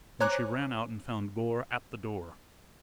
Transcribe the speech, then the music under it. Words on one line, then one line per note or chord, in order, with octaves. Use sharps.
Then she ran out and found Gore at the door.
C5 C#5 G#5 A#5 D6 F#6